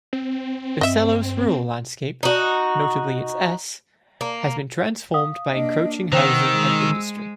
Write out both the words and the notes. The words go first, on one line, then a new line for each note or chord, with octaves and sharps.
Usselo's rural landscape, notably its Es, has been transformed by encroaching housing and industry.
C4
G2 D#5 E5
D#4 F#4
A#3
F5 D#6
A#3 D4 D#5
D#3 B3 C5 G5 E6
G#3